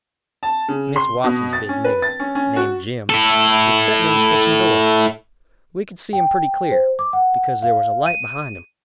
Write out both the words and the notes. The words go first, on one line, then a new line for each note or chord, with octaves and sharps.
Miss Watson's big nigger, named Jim, was setting in the kitchen door; we could see him pretty clear, because there was a light behind him.
A5
C#3
C6
B2
A6
C#4
B4
A6
C#4
C#4
F#4
E4 A4
G5
C5
D6
F#5
F5
D#7